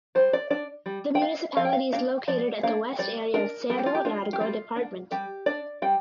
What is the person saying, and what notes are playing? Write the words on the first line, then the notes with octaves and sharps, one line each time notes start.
The municipality is located at the west area of Cerro Largo Department.
G3 C5
D5
D4 D5
G3
G5
D4 F5
F3 F5
G5
F5
A#3 D4 F5
F3 D5
A#3 D4 F5
G3 D5
D4 A#4
G3 A#4
G4
F4
G4
D4 F4
G4
G3 F4
D4
G3 G4
D4 D5
G3 G5